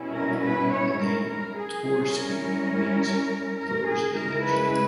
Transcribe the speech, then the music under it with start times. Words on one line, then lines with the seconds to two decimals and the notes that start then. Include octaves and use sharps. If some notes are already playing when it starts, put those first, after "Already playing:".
The name "Torsby" means Thor's village.
Already playing: B2 G3 C#4 E4
0.13 A#4
0.42 B4
0.71 C#5
1.00 A#4
1.28 A#4
1.57 G#4
1.85 G3 C#4 E4 G#4
2.14 A#4
3.58 A#4
3.87 G#4
4.15 C#3 G#3 C#4 E4 A#4
4.44 B4